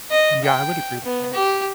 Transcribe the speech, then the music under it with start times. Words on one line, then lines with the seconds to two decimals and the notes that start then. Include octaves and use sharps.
Yeah, I would agree with that.
0.11 D#5
0.44 G5
1.04 B3
1.34 G4